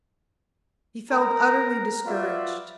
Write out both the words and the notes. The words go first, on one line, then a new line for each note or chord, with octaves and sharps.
He felt utterly discouraged.
A#4 A#5
F4 F#4 B4 D5 E5